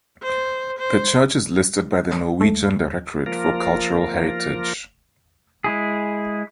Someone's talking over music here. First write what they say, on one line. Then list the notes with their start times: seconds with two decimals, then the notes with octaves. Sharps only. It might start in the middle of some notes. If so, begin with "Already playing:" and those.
The church is listed by the Norwegian Directorate for Cultural Heritage.
0.23 C5
0.78 C5
2.41 A3
3.26 F3 A#3 F4 A#4
5.64 G#3 E4 G#4